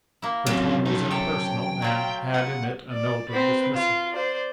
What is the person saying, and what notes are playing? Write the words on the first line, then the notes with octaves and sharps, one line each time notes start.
Her tone was impersonal and had in it a note of dismissal.
A#3 E4
F#2 F#3 C4
F3 A3 D#4
C3 A4 C#5 G5
F#3 F4 E5
B4 F#5
D5
C4 B4
F4
C5 D5